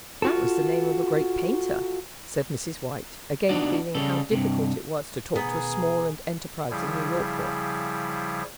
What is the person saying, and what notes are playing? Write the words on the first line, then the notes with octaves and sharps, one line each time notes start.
"That was the name of a great painter," said Mrs. White, again feeling how difficult it was to talk to a small and enterprising New York boy.
F4 F#4 A4
B3 D4 D#4 F#4 D5
C#3 G3 A4
G2 C3
B2 D#3 B3 G#4 A#5
C#3 F3 G3 E4 G#4